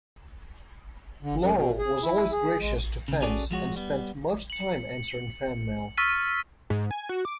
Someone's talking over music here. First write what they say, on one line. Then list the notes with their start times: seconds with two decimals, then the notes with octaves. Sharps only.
Laurel was always gracious to fans and spent much time answering fan mail.
1.23 D3
1.39 F#2
1.54 B2
1.79 G#4
2.02 E4
2.32 G#4
2.60 G#3
3.08 C#2 C#3
3.22 C#4 F#4 G#4 A4 D5
3.51 F3 G#3 F#4 C#5
3.76 G3 B3
4.50 C#7 F#7
5.97 C#6 E6 F6 A6 B6 D#7
6.70 G#2
6.91 G#5
7.09 F#4
7.25 D6